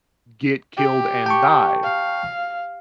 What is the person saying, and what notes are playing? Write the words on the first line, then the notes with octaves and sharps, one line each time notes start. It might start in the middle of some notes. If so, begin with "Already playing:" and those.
get killed and die,
G4
G5 A5 C#6
F5